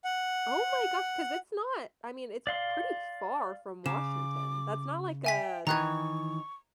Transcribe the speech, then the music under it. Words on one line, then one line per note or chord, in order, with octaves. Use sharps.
Oh my gosh, 'cause it's not I mean, it's pretty far from Washington, that's not like a
F#5
D5 F5 C6
C#3 D6 E7
E5 G5 G#5 B6
D#3 E3 A#5 C#6 F#6 G#6